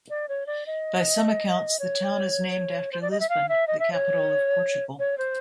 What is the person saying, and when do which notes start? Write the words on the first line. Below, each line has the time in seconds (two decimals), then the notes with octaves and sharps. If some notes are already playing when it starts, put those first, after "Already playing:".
By some accounts, the town is named after Lisbon, the capital of Portugal.
0.10 D5
0.28 C#5
0.47 D5
0.66 D#5
1.79 C#5
2.92 C5
3.02 D5
3.11 D#5
3.20 E5
3.29 F5
3.49 E5
3.67 D#5
3.79 E5
3.93 C#5
4.99 C#5
5.18 C5